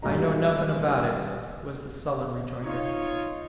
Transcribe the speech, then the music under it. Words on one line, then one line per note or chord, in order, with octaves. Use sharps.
"I know nothing about it," was the sullen rejoinder.
D#1 D#2 B2 G#3 D#5 A#5
D#4 F4 C#5